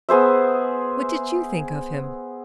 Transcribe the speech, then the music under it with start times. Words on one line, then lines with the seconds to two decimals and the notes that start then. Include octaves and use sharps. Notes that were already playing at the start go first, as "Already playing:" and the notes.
What did you think of him?'
0.09 B3 G#4 C5 E5